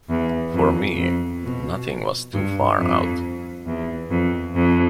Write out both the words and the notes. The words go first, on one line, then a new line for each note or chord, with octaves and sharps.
For me, nothing was too far out.
E2
F2
F2
B2
G2
F2
E2
F2
F2